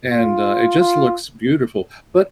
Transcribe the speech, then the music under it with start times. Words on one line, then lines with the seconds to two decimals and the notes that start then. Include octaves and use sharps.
and, uh, it just looks beautiful, but
0.12 F4
0.80 F4